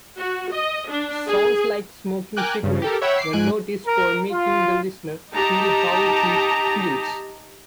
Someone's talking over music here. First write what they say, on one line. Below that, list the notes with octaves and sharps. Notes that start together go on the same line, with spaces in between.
Songs like "Smoking Cigarettes" were noticed for making the listener feel how Tweet feels.
F#4
D#5
D4
G#4
A#4 G5 G#5 D6 F#6
G2 C#3
G4 A4 A#4
C#5 E5 F#5 G5 B5 E6
D6 C7
G#2 G#3 G#5 F#6 D7
A#4
F4
D#4 G4 A5 A#5